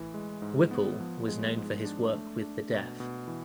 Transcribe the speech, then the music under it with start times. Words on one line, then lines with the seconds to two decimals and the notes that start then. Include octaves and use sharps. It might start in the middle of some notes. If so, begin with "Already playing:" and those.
Whipple was known for his work with the deaf.
Already playing: A2 E3
0.14 G#3
0.42 G#2
0.71 B3
1.00 F3
1.28 G#3
1.57 G#2
1.85 D4
2.13 A3
2.42 D4
2.71 B2
3.00 B2
3.28 E3